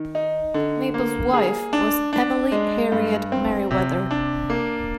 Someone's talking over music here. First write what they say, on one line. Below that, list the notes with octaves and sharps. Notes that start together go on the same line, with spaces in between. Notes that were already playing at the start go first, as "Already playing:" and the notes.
Maple's wife was Emily Harriet Merryweather.
Already playing: D#3
D#4
D3
A#3
G#4
D4
D4
G#3
G2
C4
C3
D4
A#3